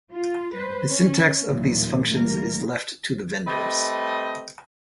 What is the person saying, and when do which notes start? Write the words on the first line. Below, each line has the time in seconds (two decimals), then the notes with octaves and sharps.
The syntax of these functions is left to the vendors.
0.12 F4
0.53 G3 B4 C5
0.87 C#4
1.49 D#2 A#2 E3 F#3 G3
2.10 D2 E3 G3 A#3 A#4
3.47 G3 A3 C4 B4 D#5